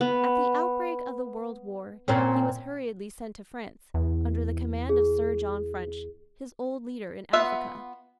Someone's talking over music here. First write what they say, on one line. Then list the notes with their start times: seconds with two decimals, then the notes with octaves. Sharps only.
At the outbreak of the World War, he was hurriedly sent to France, under the command of Sir John French, his old leader in Africa.
0.01 B3
2.08 A#2 C4 C#4
3.94 E2
4.89 G#4
7.33 B3 F4 E5 F#5